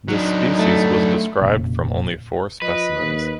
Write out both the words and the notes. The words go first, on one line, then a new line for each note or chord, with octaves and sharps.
This species was described from only four specimens.
F#3 D4 D#4
A3
F1 A#2 C#3
F3 B4 D#5
D#2